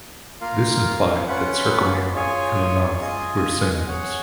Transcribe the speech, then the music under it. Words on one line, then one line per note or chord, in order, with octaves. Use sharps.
This implied that "Cercomela" and "Oenanthe" were synonyms.
A#3 F4 A#4 F5
C#4 F4 B4 F#5
F4 G#4 C#5 G#5
F4 G#4 D#5 G#5
G#4 C#5 F#5